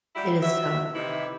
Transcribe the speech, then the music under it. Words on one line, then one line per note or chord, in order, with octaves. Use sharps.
It is tough.
F#3 G3 E4 G4
F#3 E5
A2 C3 E3 D#4 E4